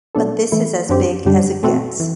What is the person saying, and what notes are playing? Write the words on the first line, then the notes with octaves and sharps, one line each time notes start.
But this is as big as it gets.
B2 F#3 A3 D4 A4
E3 A3 E4
F#2 D3 F#3 C4 G4
F#2 D3 G3 D4 G4
B2 A3 C4 F#4 A4
E3